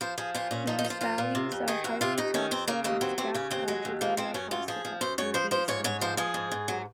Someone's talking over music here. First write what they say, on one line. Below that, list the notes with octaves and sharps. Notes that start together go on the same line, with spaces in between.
These values are highly toxic in "Scaptotrigona postica" and bees in general.
F3 C5
F3 G#4
A#2 F4
A#2 C#4
F3 D#4
D#4
F3
F4
A#2 F4
A#2
C3
F2
D#3 G#4
F2 F#4
C3 F4
F2 D#4
D#3 C#4
F2 C4
C#3 A#3
D#2 A#3
F#3 C4
D#2 C4
C#3 C#4
D#2 C4
F#3 G#3
D#2
F3 A#3
F3 C4
F#2 C#4
F#2 F4
F3 G#4
F3
F#2 C5
F#2 C#5
F3 C5
F3 C5
G#2 C#5
G#2 C#5
F3 C5
F3 G#4
G#2
G#2
F#3